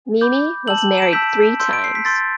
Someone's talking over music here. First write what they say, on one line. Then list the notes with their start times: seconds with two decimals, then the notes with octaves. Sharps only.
Mimi was married three times.
0.21 B5 D6 G6
0.67 A5 E6 G6 F#7
0.78 F#7
0.98 E7
1.02 D7
1.13 A5 E6 G6 B6
1.60 C6 E6 G6
1.73 D7
1.84 C7
1.95 B6
2.05 C6 E6 G6 A6